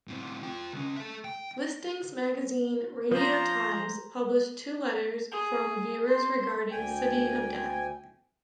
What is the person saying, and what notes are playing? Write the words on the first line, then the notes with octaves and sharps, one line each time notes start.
Listings magazine "Radio Times" published two letters from viewers regarding "City of Death".
A2 C4
F4 G5
C#2 C#4
A4 E5
G5
F3 C5 A#5
G#4
C5
D2 G5 G#5